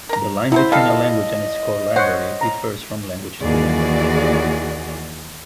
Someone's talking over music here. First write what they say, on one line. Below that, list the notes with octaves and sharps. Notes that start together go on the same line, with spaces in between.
The line between a language and its core library differs from language to language.
A#4 A#5
F#3 E4 A4 C5
G3 A4 D#5 F5
C5 C#5 F#5
A#5
D#2 E3 F#4 G#4 D5